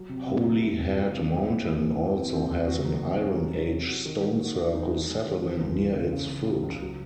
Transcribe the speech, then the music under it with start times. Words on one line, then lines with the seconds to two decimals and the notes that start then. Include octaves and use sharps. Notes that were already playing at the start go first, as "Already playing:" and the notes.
Holyhead Mountain also has an Iron Age stone circle settlement near its foot.
Already playing: F#3
0.09 C3
0.27 C3
0.44 F#3
0.61 E4
0.78 C3
0.95 F#3
1.13 C3
1.30 C4
1.48 E4
1.64 E4
1.82 E3
1.98 E3
2.16 C4
2.33 C4
2.50 C4
2.68 F#4
2.85 F#3
3.02 C3
3.19 C#4
3.37 F#3
3.54 F#3
3.71 C3
3.88 F#4
4.05 D#3
4.22 D#3
4.40 F#4
4.57 F#4
4.75 D#4
4.92 F#4
5.09 G#3
5.26 D#3
5.43 E3
5.61 C#2
5.78 E3
5.94 C#3
6.13 C#3
6.30 C#3
6.47 C#3
6.63 C#2
6.82 F#3